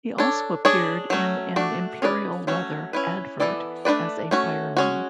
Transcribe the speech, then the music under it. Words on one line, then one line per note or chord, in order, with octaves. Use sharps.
He also appeared in an Imperial Leather advert as a fireman.
D4 A4 C#5
D4 G#4 C#5
F#3 A3 C#4
A3 D4 F#4
C#4 G#4 B4 D5
F#3 A3 C#4 F#4
C#4 E4 B4
E3 B3 E4 A4 D5
A3 D4 F#4 B4 D5
A3 C#4 F#4
G#3 C#4 F#4